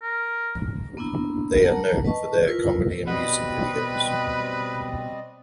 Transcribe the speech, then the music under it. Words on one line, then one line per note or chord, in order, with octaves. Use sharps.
They are known for their comedy and music videos.
A#4
A#3 B3 D4 E4
A#4 F#5 A5 A#5
B4 D#5 A5 C#6
E4 F4 A#4 B4
B2 G3 C4 F#4 B4 D#5 F#5